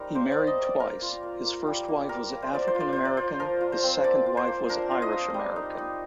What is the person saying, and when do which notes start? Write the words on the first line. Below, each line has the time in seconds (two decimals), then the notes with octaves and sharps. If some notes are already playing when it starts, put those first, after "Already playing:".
He married twice: his first wife was African-American, his second wife was Irish-American.
Already playing: G3 C4 D#4 A#4
0.15 A#3 C5
0.32 A#3 D5
0.47 D#5
0.58 A#3 D5
0.80 A#3 A#4
1.02 F4
1.23 A#3
1.44 A#3
1.67 G3
1.88 A#3
2.09 G3 A#4
2.32 A#3
2.42 C5
2.53 F4 D5
2.68 C5
2.75 F4
2.80 D5
2.93 F4 C5
3.05 D5
3.17 F4 C5
3.40 F3 A#4
3.61 F4
3.72 C5
3.83 C4
4.04 A#3 D5
4.26 F4
4.37 C5
4.48 A#3
4.69 D4 A#4
4.91 F4
5.02 D#5
5.13 A#3
5.34 G3
5.56 D#4
5.78 D#4